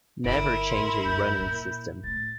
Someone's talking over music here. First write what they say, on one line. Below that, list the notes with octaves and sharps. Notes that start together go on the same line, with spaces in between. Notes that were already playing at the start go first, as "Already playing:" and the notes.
Never change a running system.
G1 E4 A#4 D7
C6
F#2 G6
A#2
A2 A6